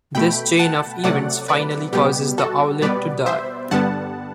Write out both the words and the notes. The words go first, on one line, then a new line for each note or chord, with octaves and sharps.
This chain of events finally causes the owlet to die.
B2 A3 G5 B5
F#5 A5
C3 F#3 A3 D5 F#5
B4 D5
B2 G3 B3 G4
F#4 A4
B2 G3 B3 B4 D5
C5 E5
G2 D3 G3 B3 F#5 A5